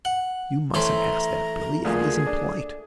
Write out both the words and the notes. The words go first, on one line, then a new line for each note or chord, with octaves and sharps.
"You mustn't ask that, Billie; it isn't polite!"
F#5
E3 A3 C5 C#5 A#5
D2 F3 A#3 G#4
D4